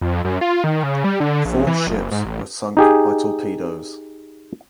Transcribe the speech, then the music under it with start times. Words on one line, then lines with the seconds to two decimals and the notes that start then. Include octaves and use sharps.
Four ships were sunk by torpedoes.
0.01 F2
0.25 F#2
0.41 F4
0.64 D#3
0.83 C#3
1.04 G3
1.20 D3
1.45 A#1
1.67 E3
1.87 F#1
2.12 G#2
2.25 A1
2.77 D#4 G4 G#4